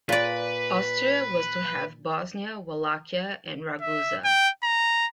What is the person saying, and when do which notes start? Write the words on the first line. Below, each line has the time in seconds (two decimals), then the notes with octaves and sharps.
Austria was to have Bosnia, Wallachia and Ragusa.
0.09 A#2 B4 D5
3.81 E5
4.24 G5
4.63 A#5